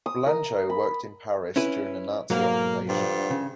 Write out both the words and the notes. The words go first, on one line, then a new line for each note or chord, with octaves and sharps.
Blanchot worked in Paris during the Nazi occupation.
D#6
A#4
B5
C#4 E4 B4
B1 G#2 F#3 A#3
G2 D3 F3
C#3